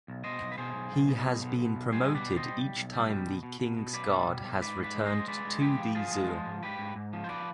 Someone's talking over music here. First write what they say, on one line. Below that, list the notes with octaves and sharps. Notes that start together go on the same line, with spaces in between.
He has been promoted each time the King's Guard has returned to the zoo.
B1
B2 C5 D#5
B1
B4
B2 G#4 C5
B1
B1
B2
B1
B2
B2
B1
G3 G#4 C5
B2 D#5
B4 D5
G3
C5 D#5
G3
B1
B1
G3
B2
B2
B2
B2
B2
B1 B4 D5
G3
B2
B1
G#2 B4 D5
G#2
B4 D5
G#3
C5 D#5
G#3
G#3 B4 D5
G#3
F3 G4 B4
F3
F3 F4 G#4
G#3
F3
G#2
G#2 G4 B4
G#2
G#2
F3
C5
B4 D5